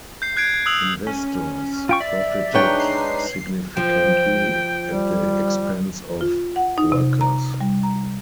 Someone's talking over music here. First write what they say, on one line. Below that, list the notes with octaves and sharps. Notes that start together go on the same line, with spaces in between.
Investors profited significantly at the expense of workers.
G6 C7
F#6 G#6 C7 D7
D#6 E6 F#6 F7 F#7
C#4
F4 G5 C#6
D5 E5
G#3 D4 D#4 B4 C#5 G5
C7
F3 G5
G3
F4
F#5
D#4
C3
A#5
G3
A#5